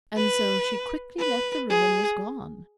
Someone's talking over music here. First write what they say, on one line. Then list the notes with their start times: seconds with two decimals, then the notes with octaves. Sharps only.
And so she quickly left the room and was gone.
0.16 B4
1.19 B4
1.70 G#4